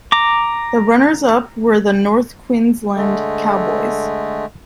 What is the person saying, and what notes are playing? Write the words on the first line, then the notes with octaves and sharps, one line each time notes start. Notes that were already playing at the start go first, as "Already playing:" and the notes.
The runners up were the North Queensland Cowboys.
A#5 D6
D3 G#3 A3